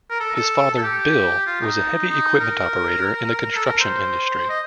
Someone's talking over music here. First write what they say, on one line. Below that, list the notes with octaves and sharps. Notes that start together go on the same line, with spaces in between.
His father, Bill, was a heavy equipment operator in the construction industry.
A#4
A4
A4
A4
G4
F4
D#4
D#4
A#4
A4
A#4
C5
D#5